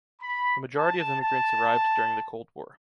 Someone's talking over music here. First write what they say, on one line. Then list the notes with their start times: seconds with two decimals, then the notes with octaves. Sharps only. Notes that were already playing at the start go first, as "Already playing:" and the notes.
The majority of immigrants arrived during the Cold War.
0.22 B5
0.79 A5
1.21 A5